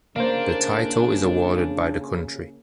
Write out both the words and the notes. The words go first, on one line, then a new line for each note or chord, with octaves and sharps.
The title is awarded by the country.
C#3 A#3 D4 C5 F5